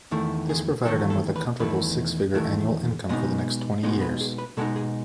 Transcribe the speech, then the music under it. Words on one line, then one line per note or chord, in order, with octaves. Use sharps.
This provided him with a comfortable six-figure annual income for the next twenty years.
E2 D#3 A3 E4
G#4
E2 D#3 A3 E4 A4
A4
B4
E2 D#3 A3 E4 B4
E2 D#3 A3 E4
B2 G#3 B3 D#4 D#5
B2 G#3 B3 D#4 D#5
B4
G#4
B4
B2 G#3 B3 D#4 A4
G#4